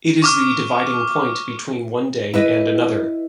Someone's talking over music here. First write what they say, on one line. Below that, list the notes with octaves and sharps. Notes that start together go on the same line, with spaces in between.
It is the dividing point between one day and another.
C#6 D6 F6
E4 B4 D#5